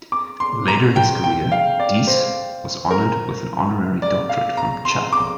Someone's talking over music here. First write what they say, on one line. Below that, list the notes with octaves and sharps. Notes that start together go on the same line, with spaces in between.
Later in his career, Deese was honored with an honorary Doctorate from Chapman.
D6
C6
A#5
G5
G5
F5
D5
C5
A#4
D5
F5
A#5
C6
D6